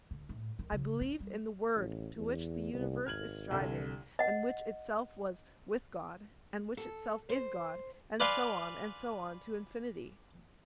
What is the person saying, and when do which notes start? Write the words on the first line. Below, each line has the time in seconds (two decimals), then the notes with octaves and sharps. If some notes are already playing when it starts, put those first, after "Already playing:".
I believe in the Word to Which the universe is striving, and Which Itself was 'with God,' and Which Itself is God and so on, and so on, to infinity.
0.11 D2
0.29 A2
0.59 D#3
0.72 C#3
1.01 C#4
1.20 G3
1.76 A1
2.16 E2
2.74 C2
3.06 G#1 F6 G#6 F#7
3.51 C2 D3
4.19 D#5 F#5
6.77 A4
7.29 C5
8.20 B4 D5 F5 G#5 C6